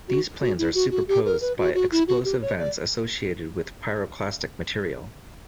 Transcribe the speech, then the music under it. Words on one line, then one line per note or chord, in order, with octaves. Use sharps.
These plains are superposed by explosive vents associated with pyroclastic material.
F#4
F#4
E4
F#4
F#4
G4
A#4
B4
F#4
F#4
E4
F#4
G4
C#5
D5